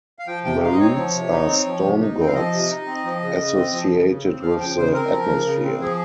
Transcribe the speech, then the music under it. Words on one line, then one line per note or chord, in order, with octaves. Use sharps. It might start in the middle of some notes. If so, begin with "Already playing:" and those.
Maruts are "storm gods", associated with the atmosphere.
F5
F3 G5
C3 G5
D#4 F5
D#5
C4 C#5
F3
C3
D#4
C4
F3
C3
D#4
C4 G5
F5
F3 D#5
C3
D#4
C4
F3
C#3
C#3
C4
F3
C#3
C#3
C4
F3 F5
C#3 G5
C#3 C5
C4 A#4
F3
C#3
C#3
C4
F3 G#4